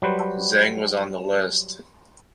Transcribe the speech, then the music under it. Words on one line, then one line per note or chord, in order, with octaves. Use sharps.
Zheng was on the list.
F#3 G3 B4 C5